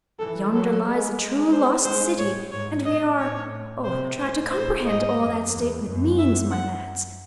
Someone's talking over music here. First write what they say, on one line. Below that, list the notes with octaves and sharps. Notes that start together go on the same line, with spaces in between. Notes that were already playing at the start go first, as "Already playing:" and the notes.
Yonder lies the true Lost City, and we are--oh, try to comprehend all that statement means, my lads!
E3 A4
F#3 A4
G#3
C5
G#3 C5
A2 C#5
G#2 C#5
A2 D#5
C#5
C3 C5
A2 C5
C5
G#2 D#5
F#2
E2
F#2
E5
F#5